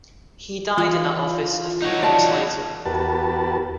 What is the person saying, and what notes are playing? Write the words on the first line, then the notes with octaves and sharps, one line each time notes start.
He died in that office a few months later.
E3 F4
D#4 F#4 C#5
D5 A5
E2 F#4 G4 A#4 B4 A5